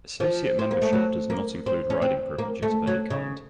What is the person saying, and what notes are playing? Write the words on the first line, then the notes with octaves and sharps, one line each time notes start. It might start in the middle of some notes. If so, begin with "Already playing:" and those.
Associate membership does not include riding privileges of any kind.
F3
C4
A#3
A3
F#3
A#3
C4
C#4
C4
A#3
A3
F#3
C#3